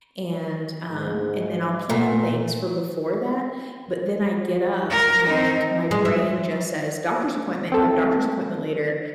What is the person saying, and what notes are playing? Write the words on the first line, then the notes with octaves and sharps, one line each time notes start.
and, um and then I'll plan things for before that, but then I get up and my brain just says, "Doctor's appointment, you have a doctor's appointment later,"
G#2
A#2 A3 B3
A#4
C4 D#4
G#3
E5
C4 A4